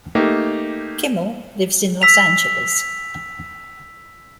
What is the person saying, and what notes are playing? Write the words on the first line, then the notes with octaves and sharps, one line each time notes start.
Kimmel lives in Los Angeles.
A3 A#3 D#4 G4
E6 B6 F7